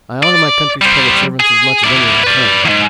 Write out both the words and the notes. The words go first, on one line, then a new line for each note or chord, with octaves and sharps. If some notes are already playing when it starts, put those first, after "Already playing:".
I honor my country's public servants as much as any one can.
D5
G3 C5
G#4
E4 D5
B4 D5
E2 G#2